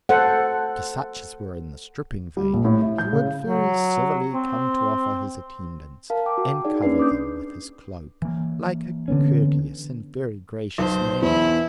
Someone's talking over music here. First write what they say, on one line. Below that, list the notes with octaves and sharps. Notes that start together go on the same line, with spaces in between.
To such as were in the stripping vein he would very civilly come to offer his attendance, and cover them with his cloak, like a courteous and very gracious man.
A4 C5 F#5
G3
A#1
A2
E4
G6
C#3
F#3
C4
A#4 F5 A5
G5 D6
F#4
D#4 G#4 D5
A#3 C#4 D4 B4 C7
B4 D6 D#6 G6
E3 A#3
D3 B3 C#4
B1 C5
E2 E4